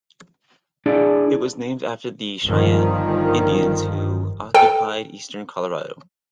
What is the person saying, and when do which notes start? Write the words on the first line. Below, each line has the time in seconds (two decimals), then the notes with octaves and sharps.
It was named after the Cheyenne Indians who occupied eastern Colorado.
0.86 D4 E4 G#4 D5
2.45 G1 G2 D#3 F3
4.54 A4 G5